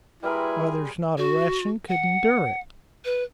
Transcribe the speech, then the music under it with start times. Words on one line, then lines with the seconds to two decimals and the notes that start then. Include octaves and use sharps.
"Why, there's not a Russian could endure it!"
0.23 G3 E4 G#4 A#4 B4 C6
1.17 F#4
1.88 F#5
3.04 B4